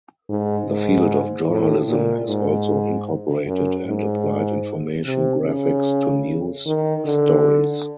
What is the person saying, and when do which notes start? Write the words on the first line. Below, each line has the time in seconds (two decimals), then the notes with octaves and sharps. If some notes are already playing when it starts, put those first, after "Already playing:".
The field of journalism has also incorporated and applied information graphics to news stories.
0.29 G#2
0.69 G#2
1.49 A2
1.88 A#2
2.28 G#2
3.47 F#2
3.86 G#2
5.06 C3
5.45 C#3
6.66 D#3
7.05 D3